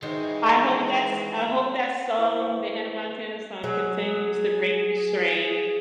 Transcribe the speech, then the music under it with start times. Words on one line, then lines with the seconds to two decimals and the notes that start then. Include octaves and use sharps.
I hope that s I hope that song, the Hannah Montana song continues to bring you strength.
0.02 D#3 E3 G#3 F#4 C5 D#5
2.18 E4 B4 C5 E5 G5 C#6
3.64 F#3 G#4